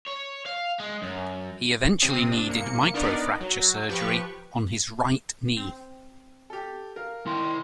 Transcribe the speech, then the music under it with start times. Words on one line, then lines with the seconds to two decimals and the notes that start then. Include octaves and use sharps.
He eventually needed microfracture surgery on his right knee.
0.08 C#5
0.46 F5
0.79 G#3
1.02 F#2
2.01 C3 C4 D#6
2.32 D4
2.47 C2 A#3 C#7
2.94 B3 D4 D#4 A#4 D5
3.40 F#3
3.89 F3 G4 B4 C#6
5.57 C4
6.50 G4 A4
6.96 A#4 F5
7.27 D#3 E4 G5 C6